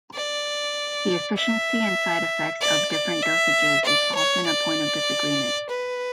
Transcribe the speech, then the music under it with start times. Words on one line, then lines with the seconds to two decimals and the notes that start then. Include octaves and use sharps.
The efficiency and side effects of different dosages is often a point of disagreement.
0.15 D5
1.37 E5
2.62 D5
2.93 D5
3.23 E5
3.85 D5
4.15 C#5
4.47 D5
5.70 B4